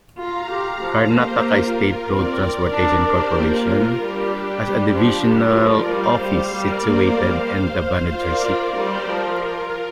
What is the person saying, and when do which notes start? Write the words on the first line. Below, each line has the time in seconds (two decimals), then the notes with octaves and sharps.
Karnataka State Road Transport Corporation, has a divisional office situated in Davanagere City.
0.17 F4 F5 A#5
0.50 G4
0.81 F3 F5 A#5
1.13 A#3 G4 C5
1.45 F4 A#4
1.77 F4
2.08 C4 A#4 D5
2.73 D4
3.04 G4 C5
3.35 A#3 F4 A#4
3.67 F4 A#4
3.99 G3 D4 G4
4.31 D4 G4
4.63 G3
4.94 F3
5.27 G3 F4 A#4
5.58 F3 A#4 D5
5.90 G3 C5 F5
6.22 G3
6.53 G3 A#4 D5
6.85 A#3 C5 F5
7.17 G3 C5 F5
8.12 F4 A#4 D5
8.44 F4 A#4 D5
8.76 G3 G4 C5
9.08 F3 F4 A#4